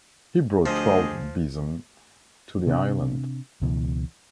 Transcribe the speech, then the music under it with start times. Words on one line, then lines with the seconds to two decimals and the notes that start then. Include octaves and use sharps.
He brought twelve bison to the island.
0.66 D2 F3 G4 G#4 D#5
2.67 C3 C4 D4
3.62 C#2 B2 E3